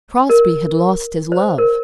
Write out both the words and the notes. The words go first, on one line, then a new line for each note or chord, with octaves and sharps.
Crosbie had lost his love!
A#4
C5
A#4